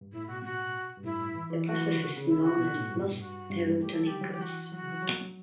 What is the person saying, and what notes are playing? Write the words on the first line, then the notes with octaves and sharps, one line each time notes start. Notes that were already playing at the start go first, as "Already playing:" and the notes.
The process is known as mos Teutonicus.
G2
A2 E4
B2 F#4
F#4
G2
A2 E4
E3
E3
F#3 F#4
E3
D3
C#3
C#3
E4
F#4
B2
A2
G2
F#4
G2
G3
A3 G4
G3
A4
F#3
D3 G4
F#3
E3
G4
F#4
F#3 F#4
C#3
E3
F#3